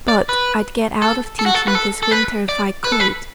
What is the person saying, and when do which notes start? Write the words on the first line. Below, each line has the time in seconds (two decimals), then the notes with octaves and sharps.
But I'd get out of teaching this winter if I could.
0.08 D5
0.29 B4
1.02 A4
1.39 A4
1.46 F#4
1.54 A4
1.68 B4
1.75 A4
2.03 A4
2.11 B4
2.49 D5
2.84 B4
2.92 A4
3.00 B4